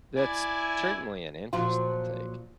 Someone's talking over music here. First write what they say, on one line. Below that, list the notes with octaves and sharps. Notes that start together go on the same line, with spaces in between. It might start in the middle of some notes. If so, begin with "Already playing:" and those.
That's, certainly an interesting take.
E4 D5 G#5
A#2 F3 F#3 F4